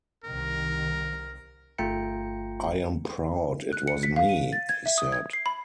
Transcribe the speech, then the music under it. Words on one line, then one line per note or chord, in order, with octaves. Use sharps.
I am proud it was me, he said.
C2 D#3 A#4
G1 A3 F4 G5 A#5 C#7
F#6
C#7
B6
F5
D#7
A6
G#6
E5
D#6
G#6
C7
B5